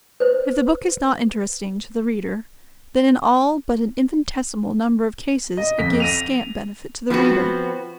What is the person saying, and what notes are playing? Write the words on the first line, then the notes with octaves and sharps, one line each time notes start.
If the book is not interesting to the reader, then in all but an infinitesimal number of cases it gives scant benefit to the reader.
B4 C5
D#5
F2 B6
A#6 D#7 F7
F3 B3 C4 F#4